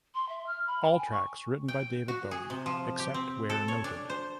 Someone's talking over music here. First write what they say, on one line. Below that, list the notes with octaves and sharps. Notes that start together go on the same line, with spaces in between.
All tracks written by David Bowie, except where noted.
C6
E5
F6
B5
G5
G#5
C#6
G5
F#4
G#4
C3
F3
G4
C4
A4
C#5
D4
C5